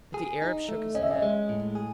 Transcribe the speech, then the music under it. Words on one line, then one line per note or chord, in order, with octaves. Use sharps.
But the Arab shook his head.
G#4
D#4
A3
C#4 D#5
E5
D#5
G#3
A2
G#4